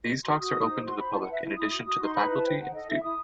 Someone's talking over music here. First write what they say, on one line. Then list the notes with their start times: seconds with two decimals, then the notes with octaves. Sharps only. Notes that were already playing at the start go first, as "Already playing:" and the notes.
These talks are open to the public in addition to the faculty and students.
0.25 F#4 C6
0.39 F#4 D#6
0.55 D#4
0.70 C5
0.84 F#4 C6
0.99 C5 B5
1.13 E4 A5
1.22 F#5
1.28 B4 E5
1.43 E4
1.57 E4 D#6
1.72 F#4
1.86 F#4 D#6
2.01 D#4 C6
2.15 B4 B5
2.30 E4
2.37 A5
2.44 C5 G5
2.59 D#4 F#5
2.74 A4 D#5
2.88 E4 E5
3.03 E4 D#6